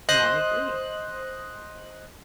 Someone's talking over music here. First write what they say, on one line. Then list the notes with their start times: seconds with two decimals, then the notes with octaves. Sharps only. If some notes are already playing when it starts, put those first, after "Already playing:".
No, I agree.
0.09 C5 D#5 F#6